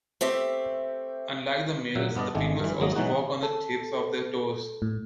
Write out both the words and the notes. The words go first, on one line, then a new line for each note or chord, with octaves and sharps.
Unlike the males, the females also walk on the tips of their toes.
A3 C4 G4 E5
A#2 F#3 E5 F#5
G2 B3 D4 D5 D#5
G#1 G#3 A3 D4 A4
G2 E3
G#1 F#3 A#3 D#5
B2 E3 F#3 G#3 D#4 F#4
A4
A2